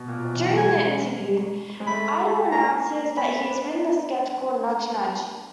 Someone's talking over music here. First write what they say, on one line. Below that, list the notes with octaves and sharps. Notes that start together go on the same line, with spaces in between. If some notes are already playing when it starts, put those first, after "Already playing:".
During the interview, Idle announces that he's written a sketch called "Nudge Nudge".
Already playing: B2
A#2
B2
E3
F#3
G3
G#3 G#5
G#3
A3 B5
A#3 A#5
B3 B5
D4